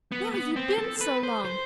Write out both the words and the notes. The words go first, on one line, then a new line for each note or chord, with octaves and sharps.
Where have you been so long?
B3
B3
C4
A4
B4
C5
C5